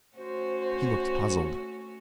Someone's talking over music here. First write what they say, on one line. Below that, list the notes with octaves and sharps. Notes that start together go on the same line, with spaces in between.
He looked puzzled.
A3 C#4 F#4 C5